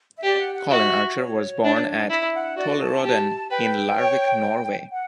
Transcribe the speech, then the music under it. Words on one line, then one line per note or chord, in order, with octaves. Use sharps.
Colin Archer was born at Tollerodden in Larvik, Norway.
E5
G4 D5
F#5
F#5
F#4 E5
C#5
D4
E4 E5
F#5
F#4 D5
A5
G4 A5
B4 G5
C#5
F#5